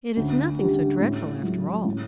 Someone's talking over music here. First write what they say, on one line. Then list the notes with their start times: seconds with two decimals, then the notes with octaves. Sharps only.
'It is nothing so dreadful after all!
0.17 D2
0.59 D3 G3
1.00 A2
1.43 F#3
1.85 A2